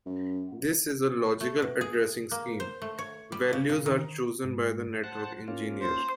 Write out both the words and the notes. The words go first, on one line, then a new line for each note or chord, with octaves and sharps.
This is a logical addressing scheme; values are chosen by the network engineer.
F#2
A3
B2
G#4
A#3
C5
A3
C#5
G3
C#3
A#2
D#3
G#2
C5 F#5 A5
A#3 C#4 F4
C5